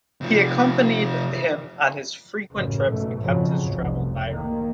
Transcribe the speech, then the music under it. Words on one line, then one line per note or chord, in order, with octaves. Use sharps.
He accompanied him on his frequent trips and kept his travel diary.
C3 F3
A1 F#2 C#3
B1 G#2 B2 A3
F2 G#2 C#3 F3 F#3
F1 C2
D#3 A#3